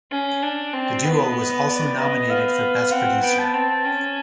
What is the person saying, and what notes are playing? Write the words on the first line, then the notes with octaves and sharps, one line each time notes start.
The duo was also nominated for Best producer.
C#4
D4
C4 D5
B3 D#5
D#5
D5
B3 D#5
B3 F5
C4 F#5
B3 G5
A5
C4 A5
C#4